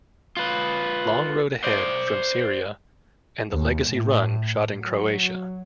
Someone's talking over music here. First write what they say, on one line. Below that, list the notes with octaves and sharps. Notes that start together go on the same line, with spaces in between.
"Long Road Ahead" from Syria, and "The Legacy Run" shot in Croatia.
F4 B4
C5 D5
D#2
A2
F#3